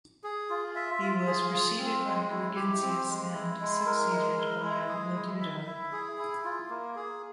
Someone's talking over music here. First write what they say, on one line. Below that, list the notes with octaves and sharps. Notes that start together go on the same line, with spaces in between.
He was preceded by Gurgintius and succeeded by Bledudo.
G#4
F4
E5
F4
G#4
F4
C4
G#3
E4
G4
C4
G#3
E4
G#3
A#4
G#3
E4
G#3
G#4
E4
E5
E4
G#4
E4
F4
A#3
G#4